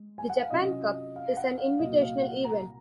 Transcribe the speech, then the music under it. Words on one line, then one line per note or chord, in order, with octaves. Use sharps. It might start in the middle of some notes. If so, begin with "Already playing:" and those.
The Japan Cup is an invitational event.
Already playing: G#3
G#5
F#5
F5
C3 F#3 C#4 F4 D#5
D#5
F5
F#5
F5
C2 A#2 F#3 D#5
F5
F#5
A#5